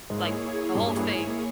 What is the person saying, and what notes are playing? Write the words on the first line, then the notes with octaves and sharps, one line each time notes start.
like, the whole thing,
G#2 A#3 E4 G#4 C#5
G2 A#2
G2
G2
G#2